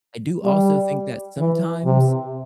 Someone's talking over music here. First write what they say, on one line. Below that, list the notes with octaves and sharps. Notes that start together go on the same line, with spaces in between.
I do also think that sometimes
G3
E3
C3